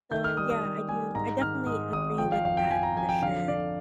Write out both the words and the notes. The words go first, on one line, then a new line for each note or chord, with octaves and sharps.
So, yeah, I do I definitely agree with that for sure.
D#3 G6
F6
G3 D#6
D#6
G3
G3 G#5
G#2 A#5
D#3 F6
G#2 D#6
G#1 D#6
F3 G5
F5
F2 F5
G5
F2 G#5
A#5
F2 G#5
G5
D3 F5
D3 D5